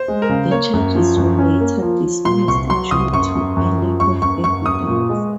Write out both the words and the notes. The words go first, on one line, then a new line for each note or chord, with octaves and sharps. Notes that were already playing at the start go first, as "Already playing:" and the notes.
The charges were later dismissed due to a lack of evidence.
Already playing: C5
G#3
A#4
C#3
A#3 C#5
F#2
F3
F#2
C#4
A#3
F3
F3
A#2 C6
C2 C#6
F#3 C6
C2 D#6
F#2 C#6
F#2
F#2
F3
F#2 C#6
F#2 C#6
F#2 C#6
F#2 D#6
A#2
G#3